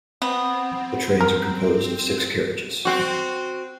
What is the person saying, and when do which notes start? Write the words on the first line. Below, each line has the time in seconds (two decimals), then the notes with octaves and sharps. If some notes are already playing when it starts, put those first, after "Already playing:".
The trains are composed of six carriages.
0.22 B3 C4
1.21 A#4
2.85 C4 F#4